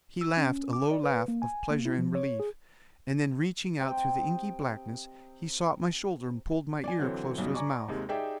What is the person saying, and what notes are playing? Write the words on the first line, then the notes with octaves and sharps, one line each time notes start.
He laughed a low laugh of pleasure and relief, and then reaching out through the inky blackness he sought my shoulder and pulled my ear close to his mouth.
E6
C#4
D6
D5
B4
A#3
G#5
A#3
E4
F3
C#5
G#4
C3 D#5 G5
D5 G#5
D3 E3 F#3 C4 C#5
B1 G2 B2
D5 G#5 A#5 C#6 D6
D#2 C3 G#3
D#4 G4 G#4 D5 E5 G5